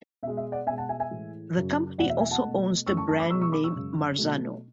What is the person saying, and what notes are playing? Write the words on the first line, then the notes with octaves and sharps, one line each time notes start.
The company also owns the brand name "Marzano".
B2 G#3 E5
E5
D5 F#5
B2 G#3 E5 G#5
F#5 A5
E5 G#5
E5 G#5
A2 E3 G#3
F#2 C#3 F#3
E2 B2 F#3 A3 D5 F#5
E5
E5 G#5
F#5 A5
B2 A3
F#2 E3 A3 C#6 E6
A5 C#6
A5 C#6
B5 D6
B2 G#3 C#6 E6
C#6 E6
B5 D6
C#6 E6
F#2 C#3 G#3
B2 F#3 A3